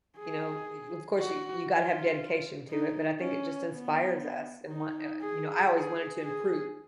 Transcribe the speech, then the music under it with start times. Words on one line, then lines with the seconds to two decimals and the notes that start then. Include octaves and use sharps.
you know, y of course you you gotta have dedication to it, but I think it just inspires us and what, uh, you know, I always wanted to improve,
0.18 G#4
1.19 F#4
1.69 F4
2.70 D#4
3.20 C#4
3.70 B3
4.71 D#4
5.21 G#4
5.72 G#4
6.23 G#4